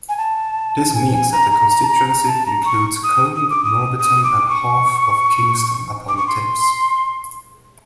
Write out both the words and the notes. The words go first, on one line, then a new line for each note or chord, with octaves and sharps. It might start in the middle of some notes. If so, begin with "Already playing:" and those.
This means that the constituency includes Coombe, Norbiton, and half of Kingston upon Thames.
G#5
A5
G#5
G#5
A#5
A#5
A#5
A5
A#5
A#5
A5
A#5
C#6
D#6
D#6
D6
D#6
D#6
D6
C#6
D6
C#6
C6